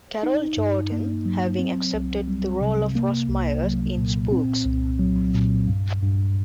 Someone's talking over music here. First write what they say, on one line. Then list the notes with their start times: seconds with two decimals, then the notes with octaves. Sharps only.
Carol Jordan, having accepted the role of Ros Myers in "Spooks".
0.23 D#4
0.57 G2
0.92 A#3
1.26 F#3
1.59 C4
1.94 C2
2.28 G3
2.61 C3
2.96 A#3
3.29 C2
3.63 F#3
3.98 A#2
4.32 C4
4.66 C2
5.00 F#3
5.34 A#2
5.67 G2
6.02 G2